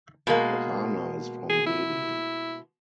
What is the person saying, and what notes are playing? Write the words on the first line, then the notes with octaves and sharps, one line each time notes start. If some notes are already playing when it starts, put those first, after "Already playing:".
Rana is from Delhi.
B2 G#3 A#3
G#4
E4